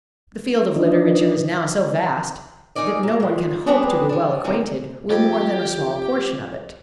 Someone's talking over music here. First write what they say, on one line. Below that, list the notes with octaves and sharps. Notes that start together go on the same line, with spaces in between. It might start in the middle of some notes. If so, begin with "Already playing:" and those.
The field of literature is now so vast that no one can hope to be well acquainted with more than a small portion of it.
F3 D4 D#4
D#4 E4 G#4 A#4 D5 D#5
F#3 A#3
F3 G#3
G3 B3 C4 D4 G#4 B4
G3 D4
C3 D#3 E3 F#3 G#3 C#4
F2 G4